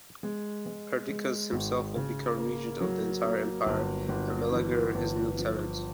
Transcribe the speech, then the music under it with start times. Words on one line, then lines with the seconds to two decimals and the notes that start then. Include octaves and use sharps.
Perdiccas himself would become regent of the entire empire, and Meleager his lieutenant.
0.23 G#3
0.66 G#3
1.09 G#3
1.52 G#1
1.95 C#3
2.38 A#3
2.81 F#3
3.24 A#3
3.66 G1
4.09 G1
4.52 E3
4.95 G1
5.38 F3